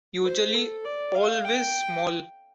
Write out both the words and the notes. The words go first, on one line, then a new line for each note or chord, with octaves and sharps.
Usually always small!
C5
A4
D5
F5
G5